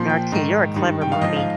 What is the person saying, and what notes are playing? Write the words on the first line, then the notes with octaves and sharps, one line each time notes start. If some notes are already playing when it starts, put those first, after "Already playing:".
Okay, you're a clever mommy.
Already playing: A#2 F3 C6
G5
G#2 D#3
G2 D#3
G5
F5
G#2 F3 D#5
F5